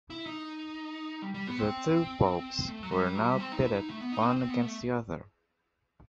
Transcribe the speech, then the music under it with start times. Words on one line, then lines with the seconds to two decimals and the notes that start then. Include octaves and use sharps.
The two Popes were now pitted one against the other.
0.10 E4
0.26 D#4
1.22 G3
1.34 G3
1.47 B3
1.59 C4
2.68 A3
2.83 F#3
2.91 G3
3.15 F#3
3.28 G3
3.40 C4
3.52 D#4
3.65 E4
3.76 D#4
3.89 A3
4.01 B3
4.12 D#4
4.25 C4
4.36 C4
4.48 B3
4.62 A3